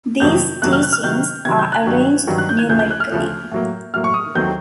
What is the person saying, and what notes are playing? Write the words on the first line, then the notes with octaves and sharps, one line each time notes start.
These teachings are arranged numerically.
F2 C3 D#3 F#3 A#3 G6
F2 C3 D#3 F#3 A#3 F#6
F6
F#6
F6
C3 D#3 F#3 G6
C3 D#3 F#3 G#6
G6
F#6
G2 D#3 F#3
G2 D#3 F#3
F#6
G6
G#6
D2 C#3 F3 A3 G6
G6
F#6
F6
D2 C#3 F3 A3
A2 F#3 A#3
A2 F#3 A#3 F6
C#6
D#6
D#2 D#3 F#3 A3 C4 G6